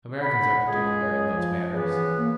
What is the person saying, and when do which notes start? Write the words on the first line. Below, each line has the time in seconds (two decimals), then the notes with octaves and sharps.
Americans are particular in those matters.
0.21 F#5 B5
0.67 C#2 G#3 G#4
1.02 C#5
1.31 F3
1.74 C#3 E3 B3
2.17 A#3